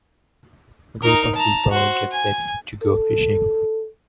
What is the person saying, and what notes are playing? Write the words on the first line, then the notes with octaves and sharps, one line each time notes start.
A group of people get set to go fishing.
D#4 A#4
A5 A#5
F#4 C5
G#5
A4